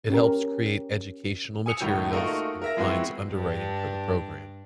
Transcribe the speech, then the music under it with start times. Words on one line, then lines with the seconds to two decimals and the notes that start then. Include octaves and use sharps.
It helps create educational materials, and finds underwriting for the program.
0.10 C#4 G4 A#4
1.66 G#5 D#6 E6 C#7 F7
1.80 C#2 A2 D#3 F#3 G6
2.11 A3 A#3 D#4 F4 F#4 A#4
2.62 A#4 E5 A#6
2.77 F3 G#3 B3 C4 E4 F#4
3.30 G2 D4